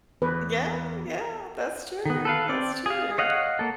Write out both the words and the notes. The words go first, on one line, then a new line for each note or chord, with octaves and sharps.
Yeah, yeah, that's true, that's true.
E2 B4
D#3 B3
A4 B4 F5
C4 D5
G#4 F5
C#5 D#5 F5 F#5
A#3 A4